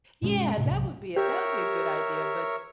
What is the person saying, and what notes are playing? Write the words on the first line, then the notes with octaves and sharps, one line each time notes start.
Yeah, that would be that would be a good idea, but
G1 B2 G#3 C#4
A2 C3
B1 G#2 C3 F#3
G4 A#4 C#5 E5